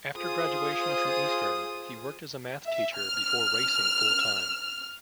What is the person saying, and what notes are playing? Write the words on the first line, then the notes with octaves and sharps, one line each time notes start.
After graduation from Eastern, he worked as a math teacher before racing full-time.
F4 G#4 C5 D#6
E5
F6